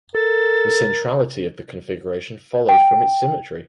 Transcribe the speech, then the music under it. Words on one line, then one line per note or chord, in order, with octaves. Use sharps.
The centrality of the configuration follows from its symmetry.
A4 A#4 A6
G5